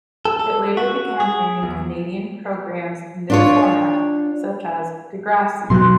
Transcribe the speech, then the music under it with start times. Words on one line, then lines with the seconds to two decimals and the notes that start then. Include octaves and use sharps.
It later began airing Canadian programs in this format, such as "Degrassi".
0.25 A4
0.39 A4
0.77 F#4
1.20 G#4
1.63 E2
3.30 D4 F4 C#5
5.70 B2 F#3 C6 F#6